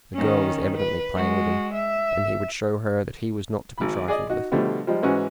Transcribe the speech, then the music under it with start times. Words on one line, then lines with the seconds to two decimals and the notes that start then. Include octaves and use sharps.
The girl was evidently playing with him, and he would show her that he was not to be trifled with.
0.14 D#3 C#4
0.77 B4
1.16 G#3 F#4
1.74 E5
3.78 G#1 B5
4.08 G#4 D5 D#5
4.29 D#4 F#4
4.52 B2 D3 F3 G3 A3
4.87 F3 G3 G#3
5.03 G#2 E3 G#3 C#4 F#4